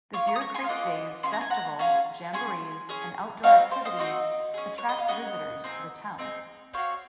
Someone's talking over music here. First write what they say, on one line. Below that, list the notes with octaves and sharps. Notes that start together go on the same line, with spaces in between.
The Deer Creek Days Festival, Jamborees, and outdoor activities attract visitors to the town.
A#3 F4 G#4 C#5 F5
A#5 C#6
D#6
A#5 C#6
G#5 C6
F5
A#3 F4 G#4 D#5 F#5
C#4 F4 G#4 C6
A#5
G#5
F#5 A#5
C#4 F4 G#4
C#4 G#4 G#5 C6
C#4 G#4
C4 D#4 F#4 C#5 F5
C5
C5 D#5
C4 D#4 F#4
C#4 G#4
C#5
D#5
F5
C#4 G#4 D#5 F#5
C4 D#4 G#4
C4 D#4 G#4
C4 F#4 C#5 F5